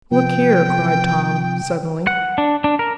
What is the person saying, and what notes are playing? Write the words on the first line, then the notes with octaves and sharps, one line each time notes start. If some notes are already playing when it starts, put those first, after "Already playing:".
"Look here!" cried Tom, suddenly.
C3 F3 G5
F#5
D4
D4
A#4